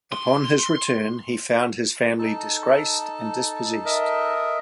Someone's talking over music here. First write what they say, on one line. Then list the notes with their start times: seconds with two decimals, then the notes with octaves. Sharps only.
Upon his return, he found his family disgraced and dispossessed.
0.12 C6
2.19 D#4 A4 A5
3.85 A#4 D#5 E5